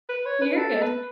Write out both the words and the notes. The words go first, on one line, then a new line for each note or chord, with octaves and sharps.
You're good.
B4
C#5
B4
A4
B4